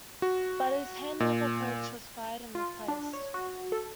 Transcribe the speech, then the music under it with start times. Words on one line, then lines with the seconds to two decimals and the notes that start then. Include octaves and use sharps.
But his Hannover coach was fired and replaced.
0.22 F#4
1.20 A#2
2.55 F4
2.88 D4
3.13 C#5
3.34 F#4
3.72 A4